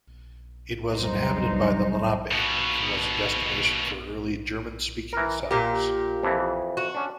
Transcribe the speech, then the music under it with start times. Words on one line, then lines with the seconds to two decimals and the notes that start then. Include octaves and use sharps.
It was inhabited by the Lenape and was a destination for early German-speaking settlers.
0.93 E2 G2 C3 F#3 D#4 C5
2.31 D#2 B2
5.13 E3 A#4
5.51 A#2 A#3 G4
6.23 F2 E3
6.77 F#4
6.94 C#4 D4